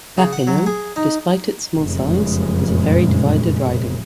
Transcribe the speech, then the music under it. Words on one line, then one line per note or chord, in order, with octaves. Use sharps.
Papineau, despite its small size, is a very divided riding.
C#3
F#5
F#3
G#4
D#4
F1 F#2 A#2 C#3 G#3